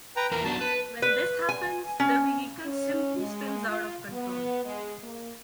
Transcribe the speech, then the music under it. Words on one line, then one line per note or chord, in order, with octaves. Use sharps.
When this happens, the vehicle simply spins out of control.
B4 G5 A#5
E2 A#2 A#4 A#5
F#3 B3 D4 A5
B4
B4
G#5
C#4
C#4
G#3
F4
B3
G#3
A#3